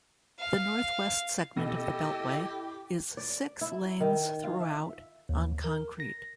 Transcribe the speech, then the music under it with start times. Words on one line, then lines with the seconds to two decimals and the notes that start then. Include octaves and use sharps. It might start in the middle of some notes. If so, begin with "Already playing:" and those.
The northwest segment of the beltway is six-lanes throughout, on concrete.
0.40 F5
1.57 B2 E3 E4 G4 A4 D#5
3.17 D5
3.61 E4
4.00 D#3
4.44 F4
4.60 E5
5.29 D#2
5.64 A#4
6.00 A#6